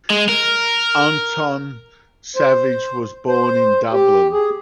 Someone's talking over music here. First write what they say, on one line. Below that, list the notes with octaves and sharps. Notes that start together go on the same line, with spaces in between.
Anton Savage was born in Dublin.
G#3
A#4
C5
C5
G4
G#4